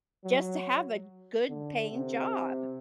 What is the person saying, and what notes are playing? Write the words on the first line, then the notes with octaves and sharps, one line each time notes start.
just to have a good paying job.
F#3
D3
C3